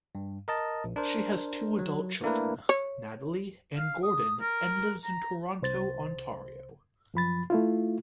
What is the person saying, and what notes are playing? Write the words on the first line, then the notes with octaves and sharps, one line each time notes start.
She has two adult children, Natalie and Gordon and lives in Toronto, Ontario.
G2
A#4 D#5 A5
A#1
D4 A#4 C5
F#3
A3 A#3 D4 E4 A#4 B4
C#5
F5
D#6
A#4
A#5
C2 C5 A6
F#2 F3 B5 A6
A3 E4 F4